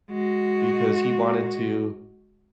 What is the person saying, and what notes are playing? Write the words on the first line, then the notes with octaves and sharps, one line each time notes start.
because he wanted to
G#3 F#4